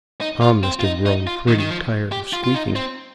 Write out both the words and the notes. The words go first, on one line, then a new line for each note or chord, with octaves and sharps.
Tom must have grown pretty tired of squeaking.
D#4
F4
C4
F4
D#4
D#4
F4
D#3
D#3
F3
G4
F4
F4
D#4
C4